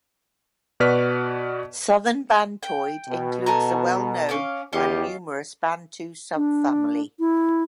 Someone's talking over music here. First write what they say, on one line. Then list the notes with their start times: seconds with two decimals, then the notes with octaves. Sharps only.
Southern Bantoid includes the well known and numerous Bantu subfamily.
0.80 B2 F#4 B4 D5 F6 B6
2.63 G5
3.07 B2
3.46 A4 G#5 A#5
4.29 C#4 F5 D6
4.73 E2 C#4 F4 G4 D#5
6.36 D4
7.19 E4